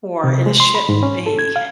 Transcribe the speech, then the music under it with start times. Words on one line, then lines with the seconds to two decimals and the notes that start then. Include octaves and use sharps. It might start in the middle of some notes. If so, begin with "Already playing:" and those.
or it, uh, shouldn't be.
0.24 C3
0.46 G#3
0.60 C6
0.75 B5
0.89 G#2
1.03 C#4
1.26 A4
1.39 G#6
1.56 F5